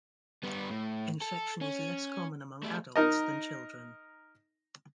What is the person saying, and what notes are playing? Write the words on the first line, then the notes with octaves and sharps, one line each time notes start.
Infection is less common among adults than children.
G3 B3
A2
A4
C#4
G3 A3
D#4 A#4 D#5